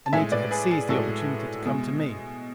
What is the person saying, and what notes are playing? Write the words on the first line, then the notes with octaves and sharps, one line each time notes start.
Anita had seized the opportunity to come to me.
A5
A2 G#3 E5 G#5
B4 D5
G#4 B4
G#4
A2 G#3 F#4 A4
B2 G#3